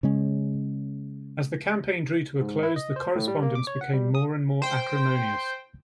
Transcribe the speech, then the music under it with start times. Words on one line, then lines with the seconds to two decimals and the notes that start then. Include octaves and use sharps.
As the campaign drew to a close, the correspondence became more and more acrimonious.
0.03 C#3 G#3 C#4
2.41 G#2
2.63 E4
2.76 D#5
2.96 C5
3.15 A2
3.28 G3
3.43 A#3
3.55 D6
3.67 C#5
3.81 F#5
3.94 G3
4.15 D#6
4.62 C5 G5